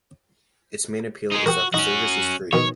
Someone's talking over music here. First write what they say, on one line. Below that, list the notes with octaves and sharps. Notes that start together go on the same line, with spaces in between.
Its main appeal is that the service is free.
G#3 D#4
F#4 G4 A#4
C#4 D#4 F#4
B2 D#3 C#5